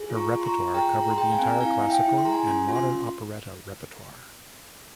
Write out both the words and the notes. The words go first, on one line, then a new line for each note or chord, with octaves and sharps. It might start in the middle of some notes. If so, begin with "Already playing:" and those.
Her repertoire covered the entire classical and modern operetta repertoire.
Already playing: G#4
F4
A#5 C#6
F4
C6
A#5 C#6
F4
G#4 G5 A#5
G#4
A#5
C6
G#4 G5 A#5
F5 G#5
C4
A#5
E4 F5 G#5
E4
E5 G5
E4
C6
G#4 A#5
G#5 C6
C#4 G#5 C6
F4
C6